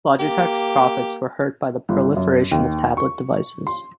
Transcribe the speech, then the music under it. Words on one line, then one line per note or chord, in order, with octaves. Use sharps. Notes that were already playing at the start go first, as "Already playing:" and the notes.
Logitech's profits were hurt by the proliferation of tablet devices.
A#3 G4
G1
F#2
D#2
C#6
C6